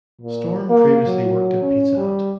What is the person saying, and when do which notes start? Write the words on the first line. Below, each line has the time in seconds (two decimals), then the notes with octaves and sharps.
Storm previously worked at Pizza Hut.
0.22 A#2
0.70 A#3
1.06 F#3
1.62 C#4
1.97 G3